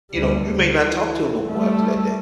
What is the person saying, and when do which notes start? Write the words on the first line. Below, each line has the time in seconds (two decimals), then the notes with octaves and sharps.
you know, you may not talk to 'em no more after that day.
0.12 D2 G3
0.76 E3
1.49 G3 A3